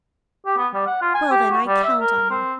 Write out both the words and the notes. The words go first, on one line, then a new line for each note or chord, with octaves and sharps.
"Well, then, I count on you."
G4
B3
G3
F#5
F4
G#5
G4
F#4
G3
E5
A#4
C4